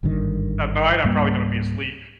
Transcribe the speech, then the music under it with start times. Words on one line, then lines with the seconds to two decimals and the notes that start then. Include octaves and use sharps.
at night, I'm probably gonna be asleep.
0.03 G#1 G2 D3 D#3
1.04 C#2 G#2 G3 A#3